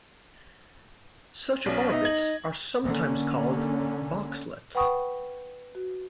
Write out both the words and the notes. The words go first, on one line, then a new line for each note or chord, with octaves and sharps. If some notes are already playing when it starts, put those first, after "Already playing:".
Such orbits are sometimes called "boxlets".
B1 B2 C#4 D5
B3 D#4 D#5 E5
G#6 F#7
D3 A#3 C#4
B4 F#5 G5 B5 C#6 D#6
F#4